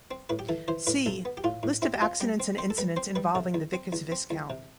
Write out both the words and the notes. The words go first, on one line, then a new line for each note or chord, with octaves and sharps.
See "List of accidents and incidents involving the Vickers Viscount".
C4
A2 B4
G4
E3 A4
E3 C5
A2 B4
B1 A4
B3
G4
A2 F4
A2
C4 E4
G4
C4 F4
G3 G4
C4
C4 C5
A4
G3 B4
C4 C5
G3 B4
C3 A4
E2
C4
E2
C4
E2
C3